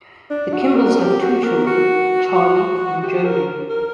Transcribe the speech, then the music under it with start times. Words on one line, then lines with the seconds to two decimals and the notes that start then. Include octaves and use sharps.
The Kimbles have two children, Charlie and Jody.
0.30 D4
0.53 F#4
0.75 A#4
0.99 G4
1.21 F#4
1.44 A#4
1.67 F#4
2.35 F#4
3.02 G4
3.24 A#4
3.69 A#4